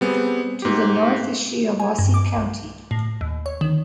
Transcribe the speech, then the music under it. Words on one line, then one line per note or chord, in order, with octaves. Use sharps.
To the north is Shiawassee County.
G3 B3 C4 G#4
G#2 G4
G#5
G2
D6
B1
A2
D#2
C#5
D#3